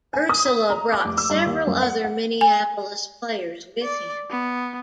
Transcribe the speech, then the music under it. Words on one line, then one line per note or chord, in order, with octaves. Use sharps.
Ursella brought several other Minneapolis players with him.
G#5
D#6
B6
A#5
D6
F1
E6
G2
D#2
F#2
F#5
F#5
G#5
D5
B3